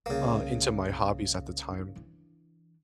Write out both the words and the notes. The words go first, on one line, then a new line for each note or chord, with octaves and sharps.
uh, into my hobbies at the time.
C2 C#3 A#3
E3 D4